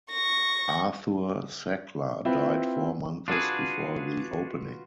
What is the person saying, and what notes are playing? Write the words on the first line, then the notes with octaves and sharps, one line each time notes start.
Arthur Sackler died four months before the opening.
C#6 A#6
C4 E4 F4 B4
D4 F4 F#4 G#4 B4